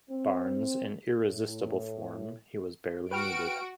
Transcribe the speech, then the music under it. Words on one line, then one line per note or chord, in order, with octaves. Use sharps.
Barnes in irresistible form, he was barely needed.
C4
A2
F#4 B4 G5 F6 D7